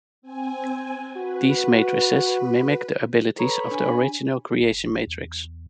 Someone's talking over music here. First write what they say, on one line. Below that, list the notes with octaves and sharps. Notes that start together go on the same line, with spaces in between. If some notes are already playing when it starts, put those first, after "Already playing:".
These Matrices mimic the abilities of the original Creation Matrix.
C4 G#5
F#4 B4
A4 B4 C#5 A#5 B5
D4 G#5
F#1
E2